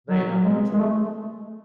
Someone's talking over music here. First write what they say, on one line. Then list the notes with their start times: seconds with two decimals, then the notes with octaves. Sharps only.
They have no children.
0.10 F#3
0.44 G#3
0.73 G#3
0.79 A3